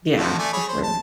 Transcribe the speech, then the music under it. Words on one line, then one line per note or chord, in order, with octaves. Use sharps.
Yeah. For sure.
F3 A3 F#4
A3 D5 G#5
G#4 C#5 B5
C5
A5